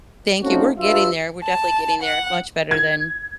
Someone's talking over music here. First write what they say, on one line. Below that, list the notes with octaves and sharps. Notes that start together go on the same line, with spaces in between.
thank you. We're getting there, we're definitely getting there, much better than
A3 C4 C#4 D#4 F4 F#4
G2 F4 E5
A5
F#5
G#6